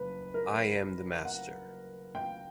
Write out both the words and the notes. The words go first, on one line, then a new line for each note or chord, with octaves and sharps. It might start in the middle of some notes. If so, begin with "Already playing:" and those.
I am the Master.
Already playing: F#1 F#2 B4
A#4
F#5
G5